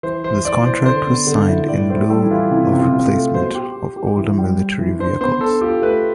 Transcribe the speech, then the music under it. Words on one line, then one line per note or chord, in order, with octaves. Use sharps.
This contract was signed in lieu of replacement of older military vehicles.
E3 C5
E3 C5
E3 D5
E3 C5
D3 C5
B3
D3
E4
A2 D5
A2 C5
G3 A4
E4
E3 F4
C3 E4
C3
F4
C3
A3
B2 C5
G4
G4
G4
E3
G3
G3
E3
D4 C5
B3 C5
D4 A4
F4 G4
A3 B4